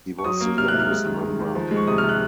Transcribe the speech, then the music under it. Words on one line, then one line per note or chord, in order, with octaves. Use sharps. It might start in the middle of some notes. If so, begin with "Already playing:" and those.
He was the youngest member.
C#6
F#3 D#6
A#3
C3 F6
F#6
C3
F6
G#3
D#3
G#3
D#3
F3
G#3
C#6
C3 D#6
F6
C3
F#6